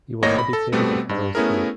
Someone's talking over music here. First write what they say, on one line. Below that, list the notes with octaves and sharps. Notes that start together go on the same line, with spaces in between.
He was educated at Harrow School.
G#1 A2 A#3 C#5 D#5 A#6
B5
A4
B2 G3 A3 B3 C4
G2
A3 B3 C#4 E4 G#4 A#4